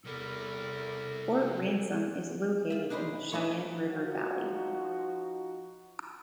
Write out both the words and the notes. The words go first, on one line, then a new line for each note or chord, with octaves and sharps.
Fort Ransom is located in the Sheyenne River valley.
E2 C3 G3 E4 A4 A#4
F4 E5
D4 D#4 G#4 A4 B4 C5
D4 D#4 A4 B4 C#5
F3 D#4 F#4